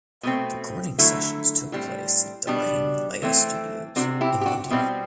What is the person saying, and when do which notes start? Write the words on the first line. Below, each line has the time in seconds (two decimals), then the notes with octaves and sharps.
Recording sessions took place at De Lane Lea Studios in London.
0.23 B2 A3 C4
0.98 D3 F#3 A3 E4
1.72 A2 G3 C4
2.47 B2 G3 D4
3.22 E3 A3 C4
3.96 C3 G3 C4 D4 F#4
4.21 E4 G4
4.41 G4
4.46 D4 F#4
4.70 B2 G3 C4 E4